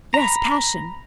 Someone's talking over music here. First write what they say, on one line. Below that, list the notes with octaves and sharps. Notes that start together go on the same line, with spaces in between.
Yes, passion.
A#5 B5